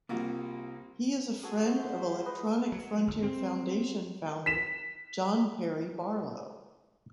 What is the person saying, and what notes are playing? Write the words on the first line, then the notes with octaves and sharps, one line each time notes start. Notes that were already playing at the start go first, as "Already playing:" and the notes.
He is a friend of Electronic Frontier Foundation founder John Perry Barlow.
C2 C3 A#3 F4 F#4
F#4 G#4 A4 E6
G#3 E4 C5 C#5 F#5 D#6
B4 D#5 D#6
F#3
G1
C4
B6 E7